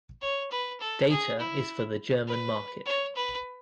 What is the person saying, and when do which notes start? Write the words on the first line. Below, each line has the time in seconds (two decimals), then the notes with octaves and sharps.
Data is for the German market.
0.21 C#5
0.51 B4
0.80 A4
1.10 G#4
1.39 E4
2.27 B4
2.86 C#5
3.15 B4